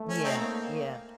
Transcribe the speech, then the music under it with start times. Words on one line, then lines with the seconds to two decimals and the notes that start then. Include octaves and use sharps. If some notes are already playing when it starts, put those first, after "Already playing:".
Yeah, yeah.
Already playing: A3
0.09 C#4
0.24 C4 D#4
0.39 A#3